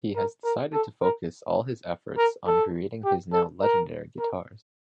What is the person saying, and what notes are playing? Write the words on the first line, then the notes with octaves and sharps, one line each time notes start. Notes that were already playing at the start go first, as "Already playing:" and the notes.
He has decided to focus all his efforts on creating his now legendary guitars.
A#4
A#4
A4
A#4
A#4
A4
G4
A4
A#4
A#4